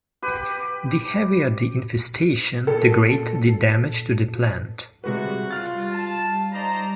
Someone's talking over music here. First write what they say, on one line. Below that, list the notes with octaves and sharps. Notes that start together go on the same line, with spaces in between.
The heavier the infestation, the greater the damage to the plant.
G4 B4
A#2 A4
C3 G3 G#3 F#4 B4
F4 F6 A6
A5
D#4 C5 D5 A#5